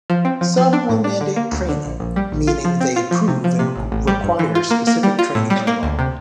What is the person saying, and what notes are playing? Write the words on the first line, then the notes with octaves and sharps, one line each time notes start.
Some will mandate training, meaning they approve and require specific training by law.
F3
C4
F3
F3
D4
A2
D4
D3
A#3
D2
D3
A#1
A#1
G3
A#1
F4
F3
C4
F4
F3
C3
F3
C3
A1
A1
G3
G2
E3
F4
A#3
A#3
G3
F4
A2
G3
A#3
D2
C3